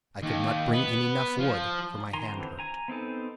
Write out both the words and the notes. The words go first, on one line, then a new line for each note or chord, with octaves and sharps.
I could not bring in enough wood, for my hand hurt.
D#2
B3
F3
D#3 G#5 A#5 C6
D3 E3 C4
G#5 A#5
B3 C4 D#4 A4